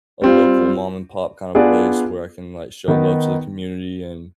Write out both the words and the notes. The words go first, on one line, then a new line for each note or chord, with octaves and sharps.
a local mom and pop kind of place where I can, like, show love to the community, and
G3 C4 F4
B3 D4 F4 G#4 D5
D#3 B3 D#4